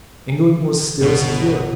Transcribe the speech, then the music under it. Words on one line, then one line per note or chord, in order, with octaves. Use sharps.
England was still secure.
G1 B2